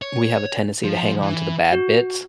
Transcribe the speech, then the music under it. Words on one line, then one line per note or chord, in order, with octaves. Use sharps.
we have a tendency to hang on to the bad bits.
C#5
F3
E3
F#4